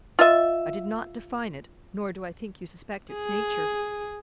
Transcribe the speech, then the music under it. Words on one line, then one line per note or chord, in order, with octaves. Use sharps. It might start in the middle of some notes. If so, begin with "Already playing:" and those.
I did not define it, nor do I think you suspect its nature.
F4 D#5 E5
G#4